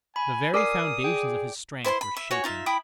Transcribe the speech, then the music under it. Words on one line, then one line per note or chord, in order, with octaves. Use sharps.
The very foundations of his strength were shaken.
G#5 B5
A#4 D5 G#5 D#6 C7
G#4 G5
E4 C5 G#5 C6
B5
E5
F#4 C#5 G#5
D#4 F4 E5
E4 G5 B5 D#6